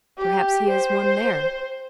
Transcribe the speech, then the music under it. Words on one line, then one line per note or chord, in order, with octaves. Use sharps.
Perhaps he has won there.
G4
C5